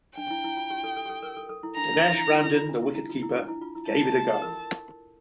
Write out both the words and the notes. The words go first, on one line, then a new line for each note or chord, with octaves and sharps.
Denesh Ramdin, the wicket-keeper, gave it a go.
D4 G5
E4
E4
F4
G4
A4
A4
G4
A4
A#4
A4
A4
E4
D4 A#5
D4
E4
E4
E4
F4
D4
E4
E4
F4
E4
D4
E4
F4
E4
E4 A5
E4
F4
A4
A#4